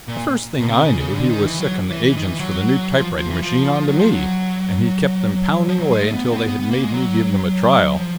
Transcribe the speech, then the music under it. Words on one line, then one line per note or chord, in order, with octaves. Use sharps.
The first thing I knew he was sicking the agents for the new typewriting machine on to me, and he kept them pounding away until they had made me give them a trial.
A#2
B2
C3
C#3
C#3
D3
D#3
E3
F#3
E3
E3
D#3
E3
F#3
F3
F3
E3
F3
F#3
F3
F#3
F3
F#3
G#3
A3
B3
B3
C4
B3
B3
B3
A#3
G#3
F#3
F3